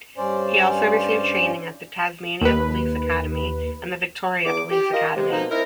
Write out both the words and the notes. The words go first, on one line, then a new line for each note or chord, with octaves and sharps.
He also received training at the Tasmania Police Academy and the Victoria Police Academy.
G2 C#4 C5 D5
D#2 B4
E2 D6
G4
F4 A#4 D#5
C3 G#3
B2 A#3 C4 D#4
C4 D#4 E4 A#4